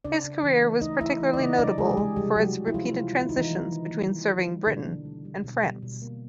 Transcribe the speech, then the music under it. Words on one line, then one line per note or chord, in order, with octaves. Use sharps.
His career was particularly notable for its repeated transitions between serving Britain and France.
C#3 D4 D5
C#3
E3
A3
A3 D#4 D#5
A3 E4 E5
E3
D5
C#3 D#4 D#5
C3 D4 D5
E3 G#3 G#4
G4
G3 G#3 G#4
C3 G3 G4
C3 F#3 F#4
C3
E4
F3 G3 F4
C3
D#3 F4
E4
D#4
D#3 E3 E4
A#3
D#3
A#3
G3
D#3
G3
B2 D3 D4
A#3
G3
G3
B2
G3
B2
A#3